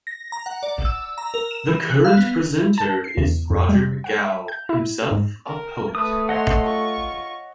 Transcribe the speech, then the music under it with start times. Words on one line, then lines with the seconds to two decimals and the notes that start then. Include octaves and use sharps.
The current presenter is Roger McGough, himself a poet.
0.07 A#6
0.32 A#5
0.46 F#5
0.63 D5
0.85 E6
1.18 A#5
1.34 A#4
1.51 E7
1.68 E3
1.90 F#6
2.05 F5
2.17 B3
2.60 E4
2.78 A5
3.04 C7
3.17 E2
3.50 F2
3.69 G3
4.04 F#5
4.24 E5
4.48 G6
4.69 E4
5.11 G#2
5.46 A#4
5.95 A3 B4 A5 D#6
6.29 C5 C#5 D#5 F#5 C6
6.63 F4 C#6